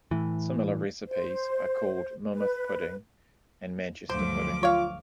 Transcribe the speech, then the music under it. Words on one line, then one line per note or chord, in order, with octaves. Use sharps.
Similar recipes are called Monmouth Pudding and Manchester Pudding.
A2 E3
C5
B4
D2 G2 F3 F#3 C5 D6
F4 C#5 F5